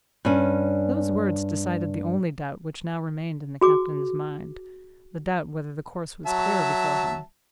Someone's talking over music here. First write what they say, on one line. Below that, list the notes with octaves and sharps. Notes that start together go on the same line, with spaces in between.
Those words decided the only doubt which now remained in the captain's mind--the doubt whether the course was clear before him.
G2 C#4
F#4 G#4 D6
F#3 E5 A5